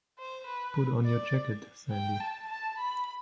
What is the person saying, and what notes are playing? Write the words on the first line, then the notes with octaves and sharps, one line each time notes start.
Put on your jacket, Sandy.
C5
B4
D5
G5
A5
A5
B5